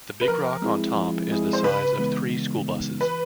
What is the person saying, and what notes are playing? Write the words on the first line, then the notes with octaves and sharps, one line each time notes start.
The big rock on top is the size of three school buses.
B4
F3 A#4
G#3 C4 E4 G#4
F3
G#3 C4 E4 G#4
C5
C#3 B4
E3 G#3 B3 D#4
C#3
E3 G#3 B3 D#4
E3 B4